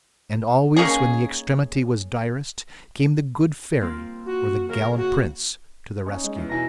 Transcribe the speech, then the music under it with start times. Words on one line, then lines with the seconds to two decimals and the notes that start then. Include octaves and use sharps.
And always when the extremity was direst came the good fairy or the gallant prince to the rescue.
0.76 A#3 C#4 D#4 G#4
3.81 A#3 C4 F4
4.26 F#4
4.69 C#3 A#4
4.97 F#4
6.06 C#4 D#4
6.24 G#3
6.36 E2
6.49 F#2 B2 D#4 E4 G#5 A#6